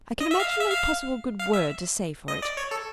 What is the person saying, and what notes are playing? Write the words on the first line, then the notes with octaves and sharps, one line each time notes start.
I can imagine no possible good word to say for it.
D#5
E5
F5
F5
E5
F5
F5
E5
D#5
D5
C#5
A4